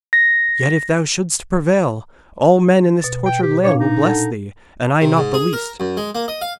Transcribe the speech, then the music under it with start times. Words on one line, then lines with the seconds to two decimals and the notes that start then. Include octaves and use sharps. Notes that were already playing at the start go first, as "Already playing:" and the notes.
Yet if thou shouldst prevail, all men in this tortured land will bless thee, and I not the least.
0.13 A#6
3.01 B2 A6
3.26 G5
3.43 G4
3.64 A#2 D4 C#5 F5
3.80 D#4
4.03 A4 F#5 A5
5.02 C3
5.17 G#2
5.34 G#4
5.53 A#4
5.80 F#2
5.97 G#3
6.15 A#3
6.28 D#5
6.41 F5